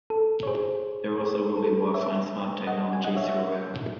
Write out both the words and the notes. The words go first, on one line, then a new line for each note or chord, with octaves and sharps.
There also will be Wi-Fi and smart technology throughout.
A4
C#5
G#4 C5
G#4
A4
C#5 E5
D#5 F#5
G#5
D#5 F#5
C#5 E5
C#5 E5